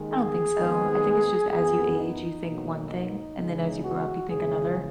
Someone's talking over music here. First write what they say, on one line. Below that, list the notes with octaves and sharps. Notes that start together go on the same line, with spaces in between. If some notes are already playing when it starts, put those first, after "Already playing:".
I don't think so, I think it's just as you age, you think one thing, and then as you grow up, you think another.
Already playing: D#2 D#3 G#3
G#4
D#2 D#3 G#3 B3
F#2 E3 B3 G#4
D#4
B1 B2 F#3 A#3
D#4
C#2 C#3 G#3 B3
F#4
E2 C#3 E3 G#3 G#4